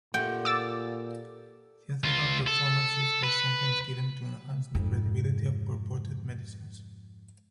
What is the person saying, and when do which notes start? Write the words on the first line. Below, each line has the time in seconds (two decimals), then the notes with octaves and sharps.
Theatrical performances were sometimes given to enhance the credibility of purported medicines.
0.14 A#2 G4 A4 F#5 G5
0.45 D6 E6 A6
2.04 C#2 F4
2.47 A4
3.24 B4
4.75 F2 G#2